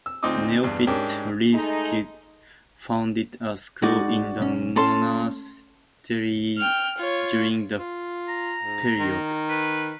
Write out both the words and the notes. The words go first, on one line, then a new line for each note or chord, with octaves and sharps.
Neofit Rilski founded a school in the monastery during the period.
E6
D2 C4 D#4 F4 D6 D#6
E2 G2
G#2 C#4 D4 G4 A#4
G#3 A3 D#4
G#2 G#3 D#4 F#4 D5
B1 C#4
A3 C#4 A4 A5 C6
G5 F6
F4 C#5
F4
A#5
G#2
D#3
B4